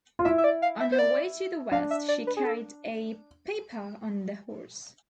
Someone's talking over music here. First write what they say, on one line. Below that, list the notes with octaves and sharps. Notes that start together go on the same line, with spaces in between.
On her way to the west, she carried a "pipa" on the horse.
F4
E4 E5
E5
D5
F5
E5
C5
D5
D4 F5
E5
D5
B4
G#4
A4